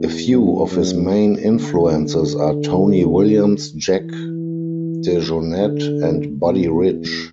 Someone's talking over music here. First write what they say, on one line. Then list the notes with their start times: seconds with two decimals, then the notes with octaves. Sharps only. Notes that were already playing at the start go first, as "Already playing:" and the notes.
A few of his main influences are Tony Williams, Jack DeJohnette and Buddy Rich.
Already playing: E2
0.30 F#2
0.70 F#2
1.53 D3
3.98 E3
5.62 D3
6.44 B2
6.85 E2